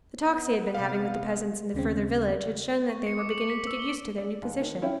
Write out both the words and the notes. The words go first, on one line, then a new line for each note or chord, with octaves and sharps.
The talks he had been having with the peasants in the further village had shown that they were beginning to get used to their new position.
B3
C3 F5
D#2 C#3 C4
C#6
C#7
D6
F#7
B6
E6
G7
D5
D#2
D#3
C#4 E4 C#5 E5 F5 G5